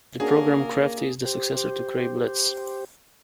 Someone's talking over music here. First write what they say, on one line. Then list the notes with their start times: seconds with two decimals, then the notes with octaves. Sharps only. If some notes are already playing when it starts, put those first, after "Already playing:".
The program Crafty is the successor to Cray Blitz.
0.20 A#3 C#4 D4 F#4 G#4 A#4
1.25 G4 C5